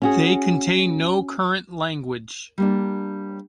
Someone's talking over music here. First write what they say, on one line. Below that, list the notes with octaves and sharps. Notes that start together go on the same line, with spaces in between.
They contain no current language.
C#4 F#4 G#4
G3 A#3 D4